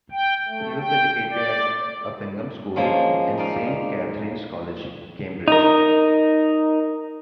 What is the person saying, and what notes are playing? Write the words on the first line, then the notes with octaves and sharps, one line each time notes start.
He was educated at Uppingham School and Saint Catharine's College, Cambridge.
G5
A3
G5
D5
F3 G#3 A#3 C#4
D#4 D5 F5
D#4 A#4